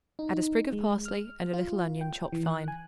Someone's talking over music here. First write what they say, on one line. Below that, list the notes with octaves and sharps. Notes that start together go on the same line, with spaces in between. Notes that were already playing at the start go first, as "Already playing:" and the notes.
Add a sprig of parsley and a little onion chopped fine.
D#4
G#3
F6
F4
G5
E3
F#6
G#5